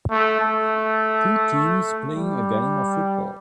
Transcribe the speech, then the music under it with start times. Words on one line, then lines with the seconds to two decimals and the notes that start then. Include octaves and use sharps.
Two teams playing a game of football.
0.11 A3
0.40 A3
2.14 G3